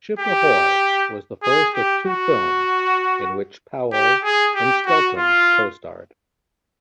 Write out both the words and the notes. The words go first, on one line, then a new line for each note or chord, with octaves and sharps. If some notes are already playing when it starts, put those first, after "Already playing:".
"Ship Ahoy" was the first of two films in which Powell and Skelton co-starred.
G4
G#4
G4
F#4
G4
G#4
G4
F#4
F4